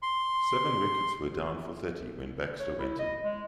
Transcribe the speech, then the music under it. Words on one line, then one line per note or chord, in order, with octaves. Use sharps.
Seven wickets were down for thirty when Baxter went in.
C6
C#5
E4
D#5
G#3